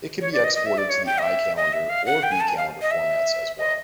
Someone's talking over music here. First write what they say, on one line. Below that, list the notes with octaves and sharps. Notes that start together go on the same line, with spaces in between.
It can be exported to the iCalendar or vCalendar formats as well.
C#5
D5
D#5
D#5
E5
D5
C#5
G5
D#5
E5
D#5
E5
F5
F#5
G5
G#5
A5
G#5
F5
D#5
E5
D#5